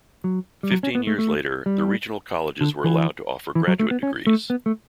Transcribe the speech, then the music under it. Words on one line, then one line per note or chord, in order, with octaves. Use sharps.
Fifteen years later, the regional colleges were allowed to offer graduate degrees.
F#3
G3
F#3
C#4
B3
A3
A3
G3
D3
E3
E3
F#3
A3
B3
C#4
A3
B3
A3